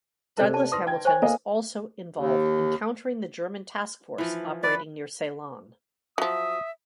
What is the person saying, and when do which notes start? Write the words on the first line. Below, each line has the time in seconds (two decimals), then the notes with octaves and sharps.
Douglas-Hamilton was also involved in countering the German task force operating near Ceylon.
0.37 C3 A4 A#4 C5 D5
0.54 A5
0.72 B4 C6 D#6 A#6
0.87 G5 G#6
1.05 C5 C#5 G#5
1.22 A#3 A4 D#5 F5
2.16 D#2
4.18 E3 F3
4.63 B4 D5
6.18 F3 F#3 E5 D#6